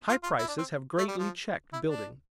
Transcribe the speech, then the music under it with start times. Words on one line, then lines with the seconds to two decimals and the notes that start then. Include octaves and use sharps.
High prices have greatly checked building.
0.09 F4
0.23 F4
0.39 E4
0.48 D4
0.58 C4
0.98 A3
1.08 G3
1.18 F3
1.73 E4
1.88 D4